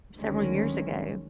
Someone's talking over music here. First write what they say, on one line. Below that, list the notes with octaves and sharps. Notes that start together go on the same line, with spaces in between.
several years ago,
D2 D3 D#3 F#3 G#3 C#4